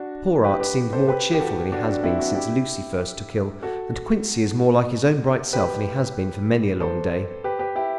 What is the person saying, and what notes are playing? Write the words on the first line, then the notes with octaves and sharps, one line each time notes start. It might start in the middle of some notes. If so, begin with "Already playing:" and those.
Poor Art seemed more cheerful than he has been since Lucy first took ill, and Quincey is more like his own bright self than he has been for many a long day.
Already playing: D4 F#4
G4 B4
G4 B4
A4 C5
G4 B4
G4
F#4 A4
D4 F#4
D4 F#4
C4 E4
D4 F#4
E4 G4
F#4 A4
G4 B4
A4 C5
G4 B4
G4 B4
E4 G4